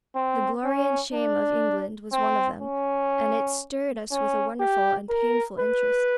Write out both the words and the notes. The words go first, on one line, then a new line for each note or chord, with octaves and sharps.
"The Glory and Shame of England" was one of them, and it stirred us with a wonderful and painful interest.
C4
C#4
D4
C4
C#4
C#4
G4
A#4
B4